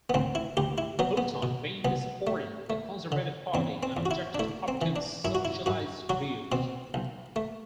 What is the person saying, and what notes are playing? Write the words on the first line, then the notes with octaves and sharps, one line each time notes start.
Hulton mainly supported the Conservative Party and objected to Hopkinson's socialist views.
B3
D2 C4
E4
D2 G4
E4
F#3 B3
B3
B2
C2 B3
A3
A3
D3
E2 C4
C4
E2
F#4
E4
D4
A3 E4
C4
E3
D4
F#2 E4
F#4
E4
F#2 F#4
F#3 F#4
B2 C4
B1
A3